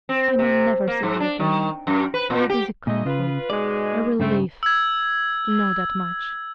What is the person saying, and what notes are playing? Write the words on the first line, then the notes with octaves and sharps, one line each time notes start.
I may never see her again; but it is a comfort--a relief--to know that much.
C4
C3
A#3
G#2
D4
D#3
F#2
B4
A#2
G4
A#2 D3 A3 D#5
C#3 F4 B4
G#2 B2 G#3 D5
G2 C#3 G#3 A3 C4
E6 G#6